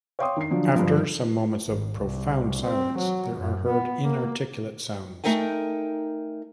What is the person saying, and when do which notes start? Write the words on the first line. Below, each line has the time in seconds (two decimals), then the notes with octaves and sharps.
After some moments of profound silence there are heard inarticulate sounds.
0.19 C#5 F5 G5 C6 D6 D#6
0.37 D#3 C7
0.50 D3 F3 F#3
0.75 G2 D3 F3
1.66 G#1
1.97 C2
2.65 C4
2.98 F#3
3.35 F#2
3.68 B3
4.04 A#3
5.24 A3 D#4 A#4 G5 G#5